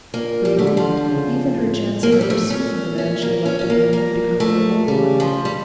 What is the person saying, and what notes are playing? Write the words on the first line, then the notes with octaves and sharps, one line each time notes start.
For the moment, even her chance of ever seeing the man she loved again, had become a remote one.
A#2 A#3
G3
D3 A3
G3
F3
C#3
A2
A2 A#3
A3
G3
A3
A#2 C#4
C#4
A#3
C#4
C#4
A#3
A#3
A3
C#3 G3
F3
G3